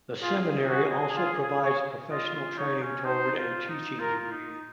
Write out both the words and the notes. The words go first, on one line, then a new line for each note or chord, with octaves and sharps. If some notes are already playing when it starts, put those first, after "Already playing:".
The seminary also provides professional training toward a teaching degree.
F4 G#4
F#4
F4
C#5
F4 D#5
F4
D#4 C#5
C#4
D#4 C5
F4
D#4
F4 A#4
D#4